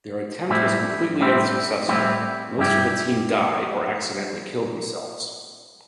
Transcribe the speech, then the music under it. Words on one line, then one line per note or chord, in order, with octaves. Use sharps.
Their attempt was completely unsuccessful: most of the team die or accidentally kill themselves.
A2 G3 C4 E4
A2 G3 C4 E4
A2 G3 C4 E4
G2 G3 E4 G4